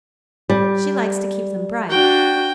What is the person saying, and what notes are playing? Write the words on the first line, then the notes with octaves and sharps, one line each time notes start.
She likes to keep them bright.
G3
D4 F#4 G5